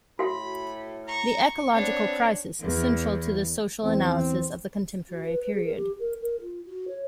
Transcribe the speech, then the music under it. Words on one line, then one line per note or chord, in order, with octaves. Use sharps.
The ecological crisis is central to this social analysis of the contemporary period.
A2 F#4 E5 B5
A#5 C#6
B3 C4 D4 C#5
E2
E2 C4
F#4
B4
B4
G#4
A#4
G4
A#4
A#4
F4
F#4
C#5